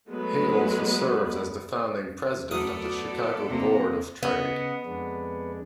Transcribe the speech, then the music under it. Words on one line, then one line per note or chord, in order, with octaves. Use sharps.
He also served as the founding president of the Chicago Board of Trade.
F#3 G#3 A3 B3 B4
D2 F#3 B3 A4 D5 D#6
C3 A#3
C#3 B3 D#5 F#5
F2 G#3 D4